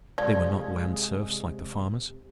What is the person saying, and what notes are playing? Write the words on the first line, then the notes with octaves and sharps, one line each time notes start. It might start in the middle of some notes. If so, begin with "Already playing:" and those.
They were not land serfs like the farmers.
C3 F3 G#3 A3 D5